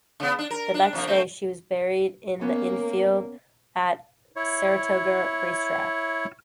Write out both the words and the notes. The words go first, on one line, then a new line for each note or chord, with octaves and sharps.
The next day, she was buried in the infield at Saratoga racetrack.
C#3 B3
D4
A#4
D4
C3 F3 A#3
A3 C4
A#3 B3 C#4 A#4
E4 C#5